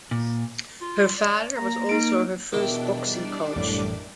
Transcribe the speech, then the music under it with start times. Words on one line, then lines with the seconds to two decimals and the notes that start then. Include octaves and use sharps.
Her father was also her first boxing coach.
0.11 A#2
0.82 F4
1.19 D5
1.56 A#3 A#5
1.89 D#4 D7
2.52 E2 B2 D#3 D4 E4 G4
3.02 G3 D4 D5
3.56 A1 F#2 A2 E3